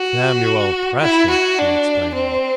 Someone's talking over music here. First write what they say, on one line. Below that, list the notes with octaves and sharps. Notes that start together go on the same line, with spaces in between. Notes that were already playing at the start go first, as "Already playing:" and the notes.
"Samuel Prescott!" he exclaimed.
Already playing: F#4
E4
F#4
D4
C4